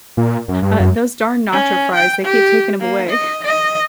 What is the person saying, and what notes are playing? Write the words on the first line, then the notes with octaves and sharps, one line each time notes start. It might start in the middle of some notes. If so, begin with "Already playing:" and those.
Uh, those darn nacho fries, they keep taking 'em away.
A#2
F#2
G2
F#2
C#4
G5
G4
A#3
D#5
D#5